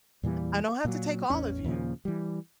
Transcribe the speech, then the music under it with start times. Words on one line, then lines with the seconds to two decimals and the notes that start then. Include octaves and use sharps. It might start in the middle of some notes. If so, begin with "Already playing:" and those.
"I don't have to take all of you,
0.23 E2 A#2 E3 G3
0.85 A#2 F#3
1.30 A1 E2 C#4
1.64 D#2 A#2 C#3 F3
2.05 E3 G3